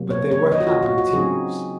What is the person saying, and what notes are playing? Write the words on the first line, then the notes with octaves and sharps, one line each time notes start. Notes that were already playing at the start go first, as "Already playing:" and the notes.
But they were happy tears.
Already playing: C3 F#3 A#3
C#5
C#5
D#5
F#4
F4
F#4
F#4
C#3 F#3 C4 D#4 G#4